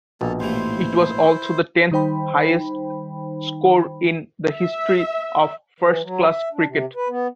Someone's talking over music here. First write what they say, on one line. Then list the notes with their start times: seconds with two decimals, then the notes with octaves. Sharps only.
It was also the tenth-highest score in the history of first-class cricket.
0.21 A#1 B2 A#3 A4
0.40 D#2 A2 E3 E4 C5 C6
1.91 D#3 G3 D#4 C5 G5 B5
4.53 E5
5.80 E3
6.03 F#3
6.29 E5
6.53 D4
6.66 C3
6.96 B4
7.09 B3